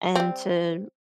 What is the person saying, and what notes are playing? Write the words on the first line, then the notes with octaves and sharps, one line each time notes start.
and to
G3 C4